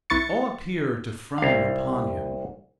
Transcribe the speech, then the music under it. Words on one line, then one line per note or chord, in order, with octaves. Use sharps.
All appear to frown upon him.
C2 E4 B4 C#6 A6 C#7
C2 F5